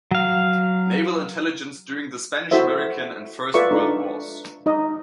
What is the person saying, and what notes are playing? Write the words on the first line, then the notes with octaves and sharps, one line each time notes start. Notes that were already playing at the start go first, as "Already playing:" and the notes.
Naval Intelligence during the Spanish-American and First World Wars.
F#3 F5
E4 F#4 A4 C5 E5
F4 A4 B4 D5 E5 C#6
D4 D#4
D#4 D#5